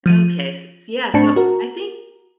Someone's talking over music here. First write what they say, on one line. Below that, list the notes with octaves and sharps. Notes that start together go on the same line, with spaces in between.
Okay, s so, yeah, so I think
F3 D#7
A2 C4 D4 A5 C#6
F#4 A#4